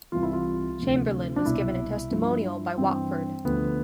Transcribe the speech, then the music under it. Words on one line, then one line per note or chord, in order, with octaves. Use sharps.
Chamberlain was given a testimonial by Watford.
C2 C3 E3 F4
E4
F4
D2 C3 F3
D4
C2 B2 E4
G2 F3
G2 E3 C4
D2 D3 F3 B3